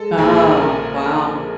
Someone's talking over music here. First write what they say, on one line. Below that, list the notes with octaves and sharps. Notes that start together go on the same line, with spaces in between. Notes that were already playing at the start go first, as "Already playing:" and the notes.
Oh, wow.
Already playing: G#3 A4
A#1 G#4
A4
G#4
A#4